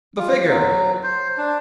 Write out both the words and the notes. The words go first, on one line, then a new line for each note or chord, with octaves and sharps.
The figure!
F4
F#3
C5
D4